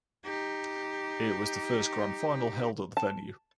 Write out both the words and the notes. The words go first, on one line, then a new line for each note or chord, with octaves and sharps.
It was the first Grand Final held at the venue.
D#4 G4
A5